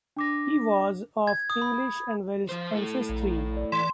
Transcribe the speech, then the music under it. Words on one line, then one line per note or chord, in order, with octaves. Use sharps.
He was of English and Welsh ancestry.
D4 D6 A#6
G#6
D#6
B5
F3 C5
A2 A3
A#1
D5
E3 D5 C6